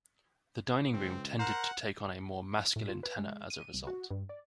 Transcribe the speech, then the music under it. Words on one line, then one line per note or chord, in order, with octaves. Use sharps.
The dining room tended to take on a more masculine tenor as a result.
C#2 C4
A#4 C5 F#5 A#5
A2
F4
B4
G#3
D#7
C2
F#4
G2
D5